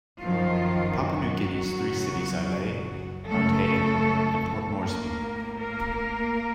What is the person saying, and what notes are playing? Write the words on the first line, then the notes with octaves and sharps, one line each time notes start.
Papua New Guinea's three cities are Lae, Mount Hagen and Port Moresby.
F#2 D#3 F3 F4
F#3 F#4
F#2 C#3
F#2 C#3 A3 A4
A2 A#3 A#4
A#3 A#4